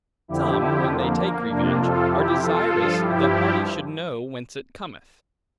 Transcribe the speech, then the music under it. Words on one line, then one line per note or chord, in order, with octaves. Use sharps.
Some, when they take revenge, are desirous, the party should know, whence it cometh.
F2 D3 F3 E4 G4
E4 G4
A#3
A#3
F2 C3 F3 A#3 D4
F4 A4
E4 G4
F4 A4
G2 F3
E4 G4